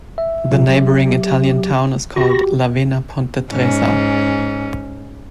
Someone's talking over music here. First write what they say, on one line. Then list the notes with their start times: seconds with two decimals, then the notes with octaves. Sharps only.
The neighboring Italian town is called Lavena Ponte Tresa.
0.18 E5
0.51 B2 F#3 F4
0.68 F#3 G4
2.16 F#4 G4 B5 C#6 A#6
3.51 G#2 C#4